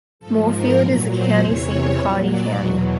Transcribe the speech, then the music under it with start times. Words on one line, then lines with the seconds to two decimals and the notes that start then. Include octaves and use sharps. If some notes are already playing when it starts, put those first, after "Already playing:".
Moorefield is the county seat of Hardy County.
0.19 G#2 F3 A4
0.48 A#4
0.78 A#2 F#3 B4
1.08 C5
1.36 E2 C3 E3 C#5
1.95 A#2 F#3 C#5
2.25 D5
2.54 E2 B2 F#3 C#5